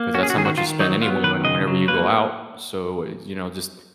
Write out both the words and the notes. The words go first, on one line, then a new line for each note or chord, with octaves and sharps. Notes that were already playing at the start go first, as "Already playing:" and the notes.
'Cause that's how much you spend anyway on a whenever you go out. So, eh, you know, just
Already playing: A#3
C#4 F#4
G#4
F#4
D#3 G#4
F#4
D#3 F4
F#3 D#4
B3 F4
D#3 B4
C#3 D#5
F#3
A#3 B4